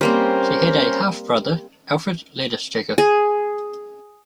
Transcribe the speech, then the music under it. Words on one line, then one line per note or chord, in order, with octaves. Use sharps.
She had a half brother Alfred Ledersteger.
G3 A#3 C4 C#4 A#4 C5
G#4